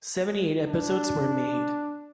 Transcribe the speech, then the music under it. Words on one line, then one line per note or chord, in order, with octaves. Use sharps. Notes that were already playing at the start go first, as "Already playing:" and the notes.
Seventy-eight episodes were made.
D4